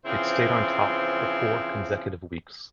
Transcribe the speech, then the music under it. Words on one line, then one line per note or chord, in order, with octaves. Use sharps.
It stayed on top for four consecutive weeks.
C#3 E3 F3 C4 E4 C5